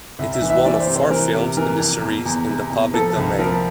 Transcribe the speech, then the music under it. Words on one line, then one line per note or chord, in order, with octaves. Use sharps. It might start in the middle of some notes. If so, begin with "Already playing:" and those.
It is one of four films in the series in the public domain.
C2 E5
E5
E3
E5
E3 D5
C5
C3
C5
E3 A#4
C3
E3 A#4
F2
E2
E2
C3
E2
F3 A4
C2
F3 A#4